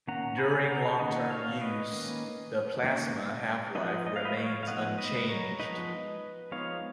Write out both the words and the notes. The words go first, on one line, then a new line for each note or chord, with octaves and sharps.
During long-term use, the plasma half-life remains unchanged.
D#3 A#3 C#4 F#5 A#5
G#5 B5
F#5 A#5
D#3 A#3 C#4 D#5 F#5
C#5 F5
B4 D#5
D#3 A#3 C#4
D#3 A#3 C#4
F3 G#3 B3 D#4 D#5 F#5
D#5
F5
B4 D#5
C#5 F5
F5
F3 G#3 B3 D#4 D#5 F#5
B4 D#5
A#4 C#5
F3 G#3 B3 D#4 B4 D#5
F3 G#3 B3 D#4 C#5 F5